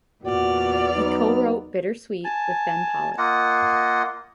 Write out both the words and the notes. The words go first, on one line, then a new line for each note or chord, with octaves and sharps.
He co-wrote "Bittersweet" with Ben Pollack.
E2 A#2 F#4 D5 F6
F#3 B3 D#4
G#5 A5
A#3 F4 D#5 F#5